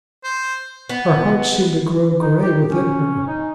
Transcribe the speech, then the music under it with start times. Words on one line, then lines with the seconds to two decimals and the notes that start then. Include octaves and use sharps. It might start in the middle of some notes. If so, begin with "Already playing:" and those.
Her heart seemed to grow gray within her.
0.24 C5
0.89 B3
2.21 D#4
2.42 G4
2.70 C#4
3.27 D#4